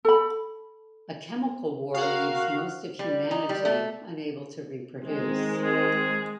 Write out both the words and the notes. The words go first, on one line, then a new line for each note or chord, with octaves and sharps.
A chemical war leaves most of humanity unable to reproduce.
A4 B5
F#4 A#4 F5 F#5
G3
D#4
G3
A3
D#3 G#3 C4
G#4